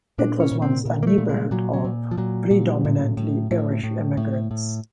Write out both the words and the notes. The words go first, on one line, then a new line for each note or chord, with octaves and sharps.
It was once a neighborhood of predominately Irish immigrants.
A#2 D4
C#4
A#2
C4
A#2
A#3
A3
A#2
G#3
A#2 F#3
F#3
A#2
F3
A#2 F#3
A#2
A2
A2
A2
A2
A2
A2